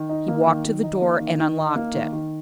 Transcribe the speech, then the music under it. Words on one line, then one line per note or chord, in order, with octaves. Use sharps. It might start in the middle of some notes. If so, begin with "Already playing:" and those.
He walked to the door and unlocked it.
Already playing: D#3
D#4
A#3
D#3
D#3
D#4
A#3
D#3
D#3
D#4
A#3
D#3
D#3